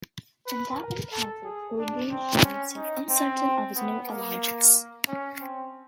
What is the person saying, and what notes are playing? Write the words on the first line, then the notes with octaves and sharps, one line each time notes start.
In that encounter, Holborne showed himself uncertain of his new allegiance.
B4
A#4
A4
G#4
D4
C4
C#4
D#4
C4
B3
A#3
C#4
C4